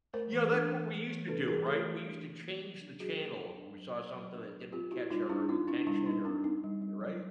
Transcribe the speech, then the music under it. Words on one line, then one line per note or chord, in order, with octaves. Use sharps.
You know, that's what we used to do, right? We used to change the channel if we saw something that didn't catch our attention or Y right?
A3 A#4 C5
E3
D4
E3
A3
E3
D4 A4 B4
E3 G#4 A#4
A3 G4 A4
E3
D4
E3
A#3
F#3
D4
F#3 F#4 G#4
A#3
F#3
D4
F#3
A#3
F#3
D4
F#3
C4 F4 G4
C4 E4 F#4
G3 D#4 F4
G3 D4 E4
C4 D#4 F4
C4 D4 E4
G3 D4 E4
G3 D#4
C4 D4
C4 D#4
G3
G3
F#3